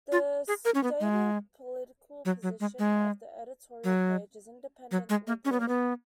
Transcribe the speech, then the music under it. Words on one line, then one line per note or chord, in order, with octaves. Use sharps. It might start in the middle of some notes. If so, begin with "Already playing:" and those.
The stated political position of the editorial page is "independent liberal".
F4
G#4
A#4
C#4
B3
G#3
F#3
F#3
G#3
G#3
F#3
F#3
G#3
A#3
C#4
B3
A#3
B3